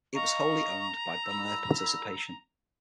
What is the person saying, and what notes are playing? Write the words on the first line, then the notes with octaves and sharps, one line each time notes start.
It was wholly owned by Bonaire Participation.
D#5 F5 A#5 C#6
C2 B5 E6